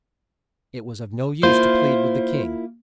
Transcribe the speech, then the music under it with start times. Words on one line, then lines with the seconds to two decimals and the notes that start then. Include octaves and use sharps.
It was of no use to plead with the king.
1.43 A#3 E4 F4 C5